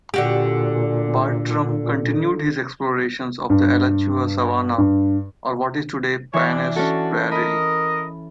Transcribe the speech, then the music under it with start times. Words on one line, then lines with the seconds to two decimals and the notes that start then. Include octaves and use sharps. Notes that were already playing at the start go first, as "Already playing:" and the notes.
Bartram continued his explorations of the Alachua Savannah, or what is today Paynes Prairie.
0.14 A#2 D3 F#4 G4
3.50 G2
4.78 G2
6.34 E3 C#5
6.48 D4
6.76 C#4 D4 F#4 A4
7.31 A#4 D#5 B5